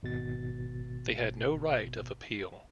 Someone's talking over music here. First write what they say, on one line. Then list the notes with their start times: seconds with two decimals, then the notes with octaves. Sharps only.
They had no right of appeal.
0.03 G#1 B2 A6